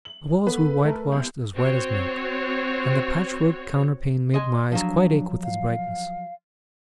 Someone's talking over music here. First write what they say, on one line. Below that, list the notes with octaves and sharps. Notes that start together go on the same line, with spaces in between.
The walls were whitewashed as white as milk, and the patchwork counterpane made my eyes quite ache with its brightness.
F#7
B3 A4 B4
A3 A#4
C2 B3
C4 F#4 C#5
D#5 G#5 C6
F3 F#3 D4
F5